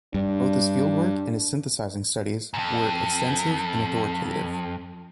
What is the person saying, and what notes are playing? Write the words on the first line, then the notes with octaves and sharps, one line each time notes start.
Both his field work and his synthesizing studies were extensive and authoritative.
G2 D4
F2 G#2